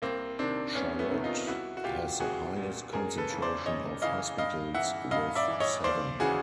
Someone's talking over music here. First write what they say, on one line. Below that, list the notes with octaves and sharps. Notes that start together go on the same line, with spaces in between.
Charlotte has the highest concentration of hospitals, with seven.
C2 A#3 C4
C3 D#3 C4 D4
C2 B3 C#4
A3 B3
C3 D#3
D#4 F4
C2 E4 F#4
F#4
A#2 F4 G4
C2 F#4 G#4
A#2
F#2 G#4 A#4
A4 B4
C#3 E3
C5 D5
F#2 C#5 D#5
C#3 E3 D#5 F5
G2 D#5 F5
E3 E5 F#5
G2 D#5 F5
D5 E5
E3
C#5 D#5
D#2 C5 D5
C#3 E3 F#4 G#4